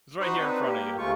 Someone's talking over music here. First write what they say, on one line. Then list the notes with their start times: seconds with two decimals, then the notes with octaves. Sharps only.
"It's right here in front of you.
0.21 D#4 F#4 C5 B5 C#6 D#6
0.37 C4 D4 D#4 B4
0.63 A#3 G4
0.98 D2 C3 G#3 A3 F4 C#6